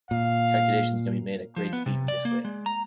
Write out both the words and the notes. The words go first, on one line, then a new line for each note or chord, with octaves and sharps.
Calculations can be made at great speed in this way.
A#2 F5
F3
B3
C3
D5
A#3
G#3
A#5